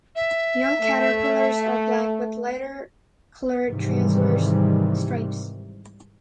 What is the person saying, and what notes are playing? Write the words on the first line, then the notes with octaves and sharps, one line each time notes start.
Young caterpillars are black with lighter colored transverse stripes.
E5
A3
G#2 C3 D#3 E3 G3